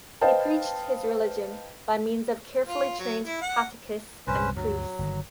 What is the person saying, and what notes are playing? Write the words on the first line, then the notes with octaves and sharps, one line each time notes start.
He preached his religion by means of carefully trained catechists and priests.
B4 C5 D#5 F5 G5 A5
F4
F#3
E4
F#5
C2 G2 A#2 C#4 B4 C5
D2 G2 F#3
G1 D#3